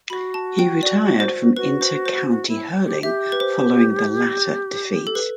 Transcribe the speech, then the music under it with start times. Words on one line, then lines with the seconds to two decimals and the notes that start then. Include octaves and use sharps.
He retired from inter-county hurling following the latter defeat.
0.10 F#4 B5
0.34 A5
0.59 G5
0.83 D5
1.20 C5
1.57 F#4 B4
1.81 C5
2.06 C5
2.30 F#4
2.48 E4
2.85 G4
3.03 G4 E5
3.32 B4
3.40 C5
5.07 A4
5.15 B4